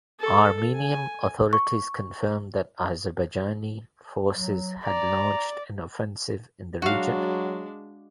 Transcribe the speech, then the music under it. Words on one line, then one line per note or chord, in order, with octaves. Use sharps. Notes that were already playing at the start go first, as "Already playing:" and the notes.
Armenian authorities confirmed that Azerbaijani forces had launched an offensive in the region.
A4
G#5
C#6
F#3
D5 A#5
F#3 G#3 D4 F#4 F5